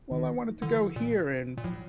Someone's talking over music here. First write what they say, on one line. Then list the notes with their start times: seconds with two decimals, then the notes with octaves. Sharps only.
"Well, I wanted to go here and
0.11 D#3
0.62 D3 E3
0.96 A#2
1.58 A#2
1.64 A2 F3